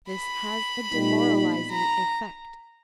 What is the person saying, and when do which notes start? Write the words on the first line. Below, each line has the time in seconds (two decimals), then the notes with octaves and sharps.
This has a demoralizing effect.
0.10 B5
0.91 A#2 G3 B3 D#4
1.70 A#5